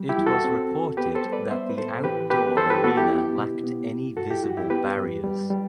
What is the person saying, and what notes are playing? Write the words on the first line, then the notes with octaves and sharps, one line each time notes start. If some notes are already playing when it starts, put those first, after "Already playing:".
It was reported that the outdoor arena lacked any visible barriers.
Already playing: F#3 G3
E4 G4
E2
F#4 A4
C4
E2
B3 G4 B4
A4 C5
G3
B4 D5
B3 C5 E5
B4
A2 A4 C5
E3 G4 B4
B3 G4 B4
E3 A4 C5
G4 B4
B3 F#4 A4
E4 G4
B3
B2
B3
B2
G2 F#4 A4
E4 G4
G2 F#4
E4 G4
B3 G4 B4
G2
G3
G3